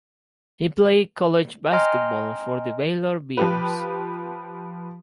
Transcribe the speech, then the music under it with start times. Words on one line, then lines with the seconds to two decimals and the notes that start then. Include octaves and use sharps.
He played college basketball for the Baylor Bears.
1.72 D#5 G5 G#5 A#5 C6 F6
3.37 F3 G4 B4